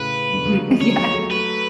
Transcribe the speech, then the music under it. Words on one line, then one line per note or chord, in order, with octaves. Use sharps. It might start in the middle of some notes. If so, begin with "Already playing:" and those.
Mhm, yeah.
Already playing: A2 C#3 B4
B2 D3
C#3 F3
D3 F#3
F3 G#3
D3 F#3 C#5
F3 G#3
F#3 A3
F#3 A3 B4